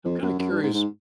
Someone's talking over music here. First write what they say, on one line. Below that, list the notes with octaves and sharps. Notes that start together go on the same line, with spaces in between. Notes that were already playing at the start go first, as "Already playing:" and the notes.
I'm kinda curious.
F2
F#2
F#2
G2
G#2
G#2